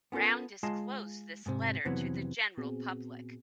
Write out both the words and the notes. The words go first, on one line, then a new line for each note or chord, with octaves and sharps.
Browne disclosed this letter to the general public.
B3 C#4 F4 A4 A#4
G#3 F4 G#4 D#5 A5 C6
G#2 C3
F2 C3 E3 F#3 B3
A#2 B3 C4 F#4 G#4